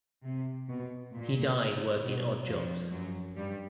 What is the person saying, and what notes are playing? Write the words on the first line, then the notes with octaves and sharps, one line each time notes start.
He died working odd jobs.
C3
B2
A#2
B2
F2 F3
F#2 F#3
G2 G3